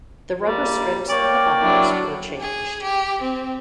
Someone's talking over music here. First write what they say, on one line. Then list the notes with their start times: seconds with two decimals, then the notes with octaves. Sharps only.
The rubber strips on the bumpers were changed.
0.45 A2 G3 A#3
1.08 A#3 C#5 D5 G5
1.62 F#3 D4 E4
2.41 G#4
2.83 G4
3.22 C4